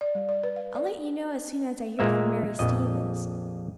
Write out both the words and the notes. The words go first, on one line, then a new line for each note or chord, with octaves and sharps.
"I'll let you know as soon as I hear from Mary Stevens."
D5
G3
D5
B4
F5
D5
A#2 G#3 A#3 E5
A#1 F2 D#5